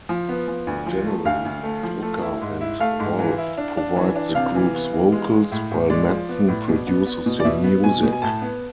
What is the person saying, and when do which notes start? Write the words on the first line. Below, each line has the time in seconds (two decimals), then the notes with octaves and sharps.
Generally Drucker and Wolf provide the group's vocals while Madson produces the music.
0.09 F3
0.29 B3
0.48 F3
0.67 D2
0.86 F3
1.06 A3
1.25 D2 F5
1.45 D2
1.63 A3
1.83 F3
2.02 A3
2.22 E4
2.42 G#2
2.61 E4
2.80 A3 F5
2.99 G#2
3.19 E3
3.38 E4
3.58 D4
3.77 D4
3.96 E3
4.16 D4
4.35 C3 F5
4.55 E3
4.74 B3
4.93 E3
5.12 G#3
5.32 G#3
5.52 A2
5.71 A2
5.90 G#3 D5
6.09 F3
6.29 B3
6.48 A2
6.68 B2
6.87 B3
7.06 B3
7.26 B2
7.40 D5
7.44 B2 E5
7.64 B3
7.84 B2 G#5
8.03 B2
8.13 G#5
8.22 A2 A5
8.42 B3